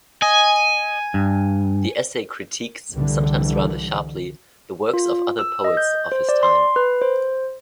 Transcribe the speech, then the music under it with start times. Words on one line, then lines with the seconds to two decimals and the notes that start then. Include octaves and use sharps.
The essay critiques, sometimes rather sharply, the works of other poets of his time.
0.22 D#5 G#5
1.14 G2
2.93 C2 D3 E3 G3
4.94 F4
5.39 E6
5.64 D#5
5.77 G6
6.12 C5
6.29 D5
6.43 C6
6.76 B4
7.01 C5